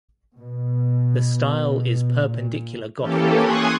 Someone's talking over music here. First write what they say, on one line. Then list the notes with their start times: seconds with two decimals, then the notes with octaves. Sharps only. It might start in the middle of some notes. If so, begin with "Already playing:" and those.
The style is Perpendicular Gothic.
0.38 B2
2.26 A#2
3.01 E3 A#3 C#4 G4 A4
3.39 G#5 C6 C#6 D#6 F#6 G#6